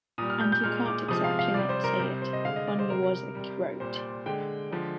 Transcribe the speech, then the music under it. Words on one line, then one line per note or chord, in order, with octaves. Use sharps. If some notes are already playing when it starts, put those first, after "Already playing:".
And you can't exactly not say it, Poniewozik wrote.
A#2 G3 D#6
F6
G6
G6
A#2 G#3 F6
D6
C3 F3 G#3 D#6
F5
F5
C3 G3 D5
C5
A#4
C3 G3 C5
C5
D#5
D3 G#3 F5
D#5
D5
C5
C3 G3 A#4
C3 G3
A#2 G3 C5
D5
D3 G#3 G5
D3 F3 G#3